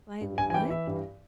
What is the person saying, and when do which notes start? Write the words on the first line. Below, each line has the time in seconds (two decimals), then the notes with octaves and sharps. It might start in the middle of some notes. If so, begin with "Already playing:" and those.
like, what?"
0.21 G2
0.38 G2 G#5
0.50 G#5
0.54 E3 G5
0.70 E3 E5
0.87 G2